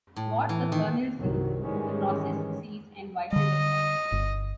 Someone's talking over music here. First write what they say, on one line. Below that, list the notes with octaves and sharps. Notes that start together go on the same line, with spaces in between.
What the kernel sees, the process sees and vice versa.
A2
E3
D#3
C2 G2 C3 D#3 F#3
G#2 D#3 E3 G3 G#3 C#4
D3 G3 D#5
G1